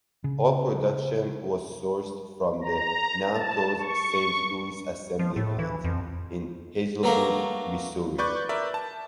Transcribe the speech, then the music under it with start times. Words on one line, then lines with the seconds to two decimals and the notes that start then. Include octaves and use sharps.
All production was sourced from the now-closed Saint Louis Assembly Plant in Hazelwood, Missouri.
0.24 C#3
2.61 A#5
3.32 A5
3.78 C#6
5.19 F3
5.36 A2
5.59 E3
5.84 F2
7.03 F#3 A3 A#3 B4 A#5
8.18 B4 D5 C#6 G6
8.49 A#4 B4 D5 E5
8.74 A5